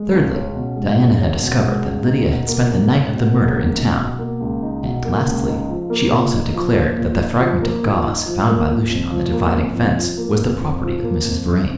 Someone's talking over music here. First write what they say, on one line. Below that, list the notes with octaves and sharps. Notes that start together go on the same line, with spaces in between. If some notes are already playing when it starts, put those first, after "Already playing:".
Thirdly, Diana had discovered that Lydia had spent the night of the murder in town; and, lastly, she also declared that the fragment of gauze found by Lucian on the dividing fence was the property of Mrs. Vrain.
Already playing: G#3
C#2
C#4
B2
G#3
C#2
C#4
B2
G#3
C#2
D#4
B2
A#3
C#2
D#4
B2
A#3
C#2
D#4
B2
A#3
C#2
D#4
B2
A#3
C#2
D#4
F3
A#3
A#2
D#4
F3
A#3
A#2
D#4
F3
A#3
A#2
D#4
F3
A#3
A#2
F2
F3
A#3
F2
F2
F3
A#3
F2
F2
F3
A#3
F2
F2